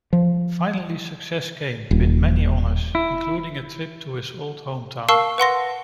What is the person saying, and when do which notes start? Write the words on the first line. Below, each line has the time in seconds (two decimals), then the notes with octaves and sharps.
Finally success came with many honors, including a trip to his old home town.
0.13 F3
1.91 D#1
2.95 E4
5.08 A#4 F5 A5 C#6 E6 C7
5.38 B4 F#5 C6 A#6